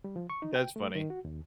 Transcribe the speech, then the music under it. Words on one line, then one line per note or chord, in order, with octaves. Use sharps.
That's funny.
G3
F3
C#6
D#4
G5
A3
D#3
F#4
D#2